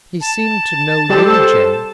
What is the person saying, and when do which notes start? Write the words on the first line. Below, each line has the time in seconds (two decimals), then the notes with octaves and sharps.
He seemed to know you, Jane.
0.21 A5
1.09 G3 G4 A4 C5 D5